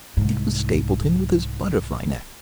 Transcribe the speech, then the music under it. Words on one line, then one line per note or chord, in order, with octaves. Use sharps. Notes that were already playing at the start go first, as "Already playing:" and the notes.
It was Stapleton with his butterfly-net.
C2 G#2